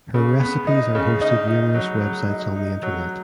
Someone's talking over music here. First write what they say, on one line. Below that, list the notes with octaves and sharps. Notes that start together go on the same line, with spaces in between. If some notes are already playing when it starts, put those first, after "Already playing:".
Her recipes are hosted numerous websites on the internet.
C#3
B3
D#4
C#3
D#4
D#4
F#3
F#3
D#4
D#4
F#3